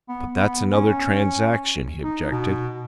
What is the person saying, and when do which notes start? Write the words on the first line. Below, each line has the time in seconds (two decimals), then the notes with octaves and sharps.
"But that's another transaction," he objected.
0.09 B3
0.36 B3
0.73 C#4
2.04 D#4
2.31 B2